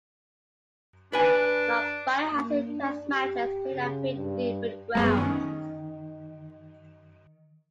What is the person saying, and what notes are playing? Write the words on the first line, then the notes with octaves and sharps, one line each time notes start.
Mumbai has seen Test matches played at three different grounds.
D4 B4 G#5
A#3
D4
G4
C#3
G2
F#2 F#3 G3 A3 B3 G#4
D#3 C#4